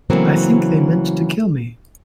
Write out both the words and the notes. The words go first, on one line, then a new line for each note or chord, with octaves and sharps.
I think they meant to kill me.
C#3 E3 F#3 A3 A#3 C4